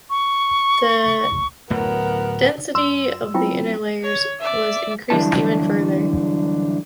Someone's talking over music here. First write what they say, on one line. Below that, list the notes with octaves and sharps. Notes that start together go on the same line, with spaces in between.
The density of the inner layers was increased even further.
C#6
D1 A2 F#3 B3 A#4
F#2 C6 E6
F#3 B3 C4 E4 F4 G5
C#5
D5 E5
F#2 D3 E3 G3 E4 A5